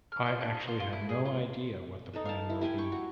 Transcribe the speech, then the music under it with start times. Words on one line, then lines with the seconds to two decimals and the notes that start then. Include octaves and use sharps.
I actually have no idea what the plan will be.
0.12 F6
0.26 F4
0.41 D4
0.54 D#4
0.68 F4
0.80 F4
0.93 E4
1.09 G#4
1.26 F4
2.13 D#4 A4 B4
2.25 F5 A5
2.50 E4
2.61 E4 G4 G#5 C6
2.78 G5 C#6
2.92 F#4